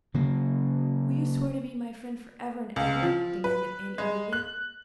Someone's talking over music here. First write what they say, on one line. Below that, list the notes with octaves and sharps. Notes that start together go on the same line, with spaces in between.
"Will you swear to be my friend forever and ever?" demanded Anne eagerly.
C#3 F#3 A#3
C#2
F3
B4
G#3
F#6